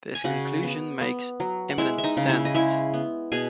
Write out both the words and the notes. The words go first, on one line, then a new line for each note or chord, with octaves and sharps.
This conclusion makes eminent sense.
G#5
C#3 F#4 F#5
B3
B3
F#3
F#5
G#3 E4 E5
E5
D#4 D#5
C#3
E4 E5
D#5
G#3 E4 E5
B3
B2 G#4 G#5